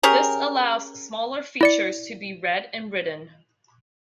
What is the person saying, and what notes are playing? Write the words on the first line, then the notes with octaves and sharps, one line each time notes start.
This allows smaller features to be read and written.
C#4 G4 G#4 A#4
E4 D5 C#7